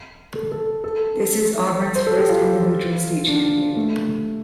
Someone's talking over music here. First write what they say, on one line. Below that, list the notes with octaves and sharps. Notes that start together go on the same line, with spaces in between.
This is Auburn's first individual state champion.
A4
A4
A4
C5
A4
G4
F4
D4
A3